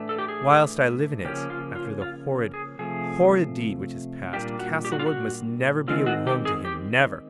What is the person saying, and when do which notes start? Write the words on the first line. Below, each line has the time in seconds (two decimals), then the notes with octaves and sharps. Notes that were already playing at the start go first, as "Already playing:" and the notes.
Whilst I live in it, after the horrid horrid deed which has passed, Castlewood must never be a home to him--never.
Already playing: A2 E3 A3 D4
0.09 A4
0.18 G4
0.28 G#4
1.24 C#3 F3 A#3 C#4 G4
1.50 F4
1.75 F4
2.02 F4
2.54 G#4
2.79 C3 F3 A3 G#4
4.33 A#2 G3 A#3 D4 F4 G4
4.59 F#4
4.85 G4
4.92 F#4
4.99 F4
5.06 F#4
5.88 D#3 G#3 C4 F4
6.06 F#4
6.27 G4
6.45 G#4
6.65 G4